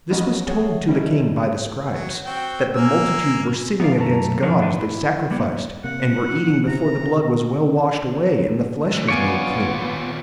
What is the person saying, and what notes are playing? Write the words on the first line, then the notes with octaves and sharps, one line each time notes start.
This was told to the king by the scribes, that the multitude were sinning against God as they sacrificed, and were eating before the blood was well washed away, and the flesh was made clean.
A1 F2 F#3 D#5 B5
G#4 C#5 F#5
G3 C#4 D#4 E4 A4 A#4
F#3
C4 F#4 G5
A#3 G#5 E6
B3 D#4 E4 C#5 D5 F5
F#2 B2 F#3 A3 A5 A#5
F3 D4 D#4 A#4 B4 C#5
D3 F3 G#3 D4 B4
E4
G3 A#3 B3
C3 A#3 F#5
C3 A#5
A2 E3
D#2 B3 F4 C#5 D5 G#5